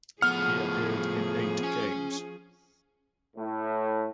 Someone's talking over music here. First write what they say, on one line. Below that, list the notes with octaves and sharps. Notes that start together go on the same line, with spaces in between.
He appeared in eight games.
A2 F3 B3 G#4 F#5 F6
C#4
A2